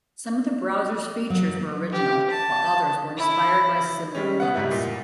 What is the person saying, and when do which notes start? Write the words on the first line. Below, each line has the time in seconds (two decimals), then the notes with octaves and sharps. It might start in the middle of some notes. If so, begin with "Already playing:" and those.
Some of the browser's features were original, while others were inspired by similar products.
1.30 F#3
1.92 G4
2.30 A5
3.17 E4
4.15 G3 G#3 C#4
4.40 B3 F#5
4.55 G#2 G3 E4
4.71 A#2